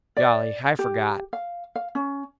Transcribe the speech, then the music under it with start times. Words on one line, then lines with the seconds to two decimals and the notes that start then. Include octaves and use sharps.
Golly, I forgot.
0.17 D5
0.79 G4
1.33 F5
1.75 F5
1.95 C#4